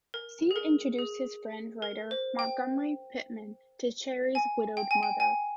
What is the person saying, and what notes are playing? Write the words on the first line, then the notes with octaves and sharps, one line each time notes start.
Steve introduced his friend, writer Montgomery Pittman, to Sherry's widowed mother.
A#4
G#4
A#4
G#4
A#4
C5
G5
G#5
G5
G#5
G5
G#5